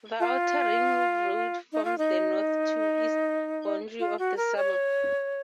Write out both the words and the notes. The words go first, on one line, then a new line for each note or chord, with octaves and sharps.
The outer ring road forms the north to east boundary of the suburb.
F4
D#4
F4
D#4
F4
F#4
A#4
C#5